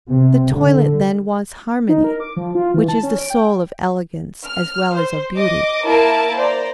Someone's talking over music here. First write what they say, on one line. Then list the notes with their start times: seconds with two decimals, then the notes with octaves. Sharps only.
The toilet then wants harmony, which is the soul of elegance as well as of beauty.
0.10 C3
0.54 D3
1.89 D#4
2.04 A#4
2.20 D6
2.37 F3
2.55 F4
2.74 E3
2.88 A5
3.03 C#4
3.19 D7
3.30 G5
4.45 F6
4.95 C5
5.36 D#5 D6
5.85 A#3 E4 A#4 A5 D7
6.37 C5 D5 A#5